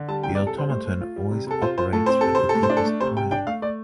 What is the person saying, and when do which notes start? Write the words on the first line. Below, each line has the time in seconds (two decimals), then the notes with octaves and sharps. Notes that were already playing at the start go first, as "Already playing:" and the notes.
The automaton always operates with the deepest pile.
Already playing: D3
0.08 G3 A5
0.23 C3 G5
0.35 D5
0.39 C3
0.47 A4
0.55 G3 C5
0.70 A3 C5
0.85 A3
1.01 F4
1.16 G3
1.31 C3
1.47 C3 A4
1.62 F4 C5
1.78 F4 C5
1.93 A2 A4
2.06 C4 C5
2.21 C3 A4
2.35 C3 C5
2.49 A4
2.54 A2
2.63 C5
2.70 D4
2.77 A4
2.85 A3
3.00 C3 C5
3.17 C3 G5
3.31 D4 G5
3.47 A3 F5
3.62 A3 D5